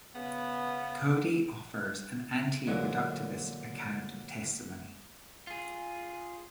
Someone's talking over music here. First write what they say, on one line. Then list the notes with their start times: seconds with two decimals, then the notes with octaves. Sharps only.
Coady offers an anti-reductivist account of testimony.
0.15 C#3 B3
2.67 A#2 D3 E3 F#3 G#3
5.47 F4 G#4